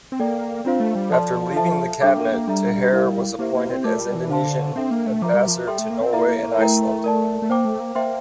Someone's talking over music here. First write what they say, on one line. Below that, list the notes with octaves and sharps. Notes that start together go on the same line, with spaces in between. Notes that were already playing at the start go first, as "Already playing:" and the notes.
After leaving the cabinet, Taher was appointed as Indonesian ambassador to Norway and Iceland.
C4
A#3 A4 D5 G5
C4 D4 F4 C5 F5
A3
G3
F3 A4 D5 A5 C6
A4 E5 A5
G3 D4 A4 E5 G5 D6
A#3
A#3
G3 D4 A4 E5 A#5
E4 A#4 F5
A#3 E4 G4 C5 E5
A#3
C4
A3 F4 A#4 D5 A5 D6
G3
E3
D3 C5 F5 A5 C6
C4 D4 A4 E5 G5
A#3
A3
F3 A#4 E5 A#5 D6
G3
F3
G3 A4 E5 G5 C6
A3
A#3
C4
A#3 E4 A4 E5 A#5
A#3
A#3
A3 E4 A#4 E5 G5 A#5
A#4 D5 A5
A3
A#3 C5 G5 D6
A3
A#3
A#3 C5 E5 G5 C6